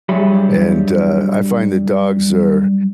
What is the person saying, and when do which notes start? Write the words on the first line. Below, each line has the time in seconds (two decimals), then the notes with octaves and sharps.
and, uh, I find that dogs are
0.09 G2 F#3 G3 G#4 E5 B5